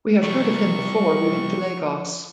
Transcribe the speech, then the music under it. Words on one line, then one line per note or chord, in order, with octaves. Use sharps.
We had heard of him before we went to Lagos.
F3 G3 E4 G4 C#6